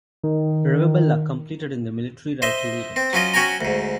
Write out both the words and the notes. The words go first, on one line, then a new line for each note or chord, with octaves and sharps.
Rivabella competed in the military rifle event.
D#3
C5 D#5 E5
C4
F#3 C#4 F4 D#5
C#4 F#4 G5 G#5 A#5
D2 G#2